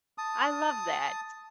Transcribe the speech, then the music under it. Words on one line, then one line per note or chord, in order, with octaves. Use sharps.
I love that.
A5 D#6